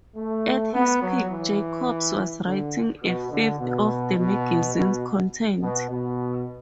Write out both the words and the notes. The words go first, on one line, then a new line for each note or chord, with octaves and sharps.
At his peak, Jacobs was writing a fifth of the magazine's content.
A3
B3
F#3
E3
D3
B2
D3
B2
B2
B2
B2
B2